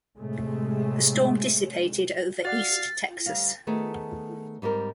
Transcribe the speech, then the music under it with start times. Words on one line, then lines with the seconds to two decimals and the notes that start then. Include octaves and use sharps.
The storm dissipated over east Texas.
0.17 A2 C3 G#3 A3
2.45 F#4 D5 F5 F#5 A6
3.26 D2 G3 F5
3.67 D#3 A3 B3 G#4
4.62 G#2 G3 C4 A#4